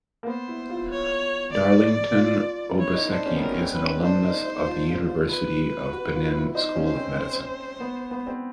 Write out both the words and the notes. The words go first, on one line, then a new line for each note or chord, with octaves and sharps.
Darlington Obaseki is an alumnus of the University of Benin School of Medicine.
A#3
B3 C5
E4
F4
C#5
D5
F4
E4 C#5
D#4
D4 C5
C#4
B3
C4 A#4
C4
B4
C#4
D4 C5
D#4
D#4
F4
F4
F4
B4
F#4
F4
E4
D#4 C5
C#4
C5
C4
B3
B3
C4